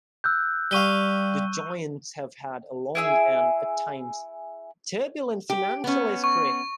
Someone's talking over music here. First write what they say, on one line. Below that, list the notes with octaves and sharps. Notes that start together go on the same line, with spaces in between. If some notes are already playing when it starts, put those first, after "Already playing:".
The Giants have had a long and, at times, turbulent financial history.
E6 F#6 G6
G3 F5 C#6 D#7 G7
E4 G#4 E5
G4
B3 C#4
C#6